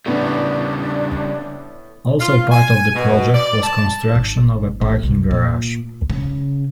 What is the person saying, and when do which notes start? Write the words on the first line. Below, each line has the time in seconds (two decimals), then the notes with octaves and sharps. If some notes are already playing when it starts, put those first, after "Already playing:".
Also part of the project was construction of a parking garage.
0.06 A2 C#3 G3 B3 D4
2.20 F4
2.51 G#5
2.95 B2
3.34 D5
3.63 A5
4.15 G#1
4.81 A1
5.03 C2
5.31 A#2
6.10 C#3